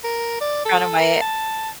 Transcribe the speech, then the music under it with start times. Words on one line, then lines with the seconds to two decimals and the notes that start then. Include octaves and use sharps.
brown or white?
0.04 A#4
0.41 D5
0.66 A4
0.99 A#4
1.22 A5